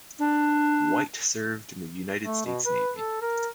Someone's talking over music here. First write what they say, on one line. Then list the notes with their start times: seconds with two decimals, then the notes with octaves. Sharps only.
White served in the United States Navy.
0.19 D4
2.24 A3
2.45 B2
2.65 B4
2.97 A4
3.22 A#4